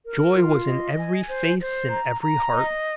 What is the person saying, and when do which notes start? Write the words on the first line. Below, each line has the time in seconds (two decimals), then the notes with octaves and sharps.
Joy was in every face and every heart.
0.04 A#4
0.34 F4
0.66 D#5
0.98 G#5
1.28 C5
1.59 C5
1.90 A#5
2.22 A#5
2.53 D#5